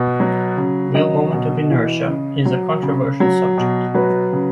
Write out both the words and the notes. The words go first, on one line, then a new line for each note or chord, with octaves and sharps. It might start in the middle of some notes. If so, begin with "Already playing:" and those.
Wheel moment of inertia is a controversial subject.
Already playing: B2 B4
F#3
C#3
F#3 D#5
B2
E3
C#3
F#3
C#3
F#3
B2
F#3 B4
C#3